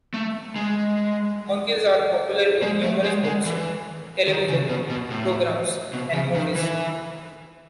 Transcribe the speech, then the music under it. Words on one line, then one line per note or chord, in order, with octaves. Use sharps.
Monkeys are popular in numerous books, television programs, and movies.
A3
G#3
G#3
A3
G#3
G#3
E3
D#3
C#3
B2
B2
A2
B2
C#3
D#3
E3